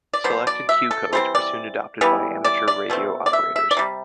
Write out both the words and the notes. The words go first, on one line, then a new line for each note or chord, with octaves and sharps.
Selected Q codes were soon adopted by amateur radio operators.
D5
B2 F#3 C5
D5
E5
A4
E3 G3 C4 C5
D5
E3 G3 B3
D5
D5
B2 A3 C4
D5
E5
E5
D5
C3 G3